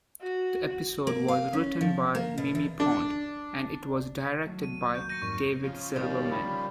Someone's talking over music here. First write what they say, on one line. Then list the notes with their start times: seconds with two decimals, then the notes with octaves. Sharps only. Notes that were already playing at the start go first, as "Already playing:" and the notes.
The episode was written by Mimi Pond, and it was directed by David Silverman.
0.22 F#4
1.07 A#3
1.28 F5
1.53 C#4
1.81 F3
2.15 A#3
2.38 B2
2.55 E2
2.80 D4
4.45 D#3 F#3 A3
4.63 D#7
4.80 A#2 A#5
4.95 C#6 G6
5.09 G6 A#6 C#7 D#7
5.22 F2 G#2 A#4 B4 D5 C#6
5.64 C#3 F3
5.96 D#2 G3
6.30 B5